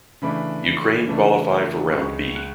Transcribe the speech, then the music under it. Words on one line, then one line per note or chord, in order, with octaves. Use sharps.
Ukraine qualify for Round B.
C#3 E3 A3 D4 B5
C#3 E3 A3 D4
C#2 C#3 G#3 C#6
F#6